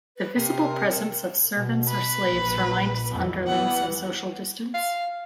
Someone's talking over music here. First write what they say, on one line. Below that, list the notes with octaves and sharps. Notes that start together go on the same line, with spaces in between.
The visible presence of servants or slaves reminds underlings of social distance.
B4
C3 A#4
A4
B2
B4
A#1
F2 E3
E3 G3 B3 F#5
F5